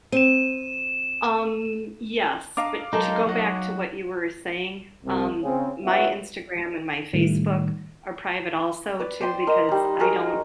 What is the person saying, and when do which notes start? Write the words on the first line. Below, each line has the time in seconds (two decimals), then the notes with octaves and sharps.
Um, yes, but to go back to what you were saying, um, my Instagram and my Facebook are private also too, because I don't
0.12 C4 D#7 E7
2.57 D4 D#5 F5 A#5 D6
2.93 F#3 G#3 D#4 A4 A#4 A5
3.27 F#3 D#4 F#4 D#5
5.04 C2 C3
5.42 C#3 C4 C#4
5.85 B3 C#4 E4 F#4
7.14 A2 D#3 G3 A3
8.99 B4 D5
9.21 C5 D5 G5 C6
9.47 A#4 D#5
9.69 G3 D#4
9.99 D#4 F#4 G#4 A#4